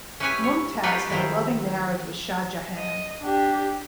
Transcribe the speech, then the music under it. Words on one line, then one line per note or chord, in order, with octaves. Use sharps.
Mumtaz had a loving marriage with Shah Jahan.
C#4 E4 G4 B4 C#5 G#5
C#5
D#4 F4 G4 B4 C#5 D5
D#3 F3 C4 E4
D#5
D4 G4